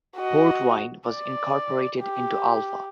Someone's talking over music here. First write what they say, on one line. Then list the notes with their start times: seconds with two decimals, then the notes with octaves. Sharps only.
Port Wine was incorporated into Alpha.
0.17 F#4 D#5
1.08 D5
2.00 G4